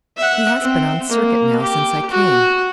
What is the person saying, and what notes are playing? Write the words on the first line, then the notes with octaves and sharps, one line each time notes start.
He has been on circuit now since I came.
E5 F#5
C4
A#3
G4
F#4